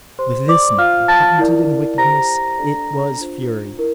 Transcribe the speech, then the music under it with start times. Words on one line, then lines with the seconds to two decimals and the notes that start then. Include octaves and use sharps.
With this man, patented in wickedness, it was fury.
0.19 G4 C5 C6
0.48 D5 D6
0.78 F4 C5 F5 F6
1.08 A5 A6
1.38 E4 A#4 D5
1.98 G4 C5 A#5 A#6
2.58 D4 A4 D5
3.18 D4 F4 C5
3.78 E4 A#4